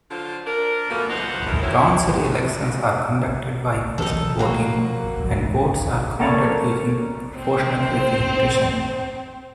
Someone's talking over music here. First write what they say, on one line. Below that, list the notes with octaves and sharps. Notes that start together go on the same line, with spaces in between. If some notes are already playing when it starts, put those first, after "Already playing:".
Council elections are conducted by postal voting and votes are counted using proportional representation.
D3 F3 F#3 F4 C5
D4 A#4
B2 F3 A3 A#3
A#2 D#4 B4 C5 F#5
E3 F3 G#3 A3 A#4
F#3 C4 C#4 E4
D#3 E3 F#3 A4
B2 F3 A#3 F#4
F#3
A#3 C#4 A4 C#5 D5
C4 C5